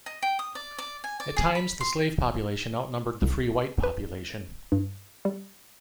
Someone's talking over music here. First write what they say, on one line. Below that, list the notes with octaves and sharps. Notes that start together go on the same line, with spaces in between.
At times the slave population outnumbered the free white population.
D#5
G5
D#6
D5
D5
G#5
D5
G#4
B5
C6
C2
B4
G2
G3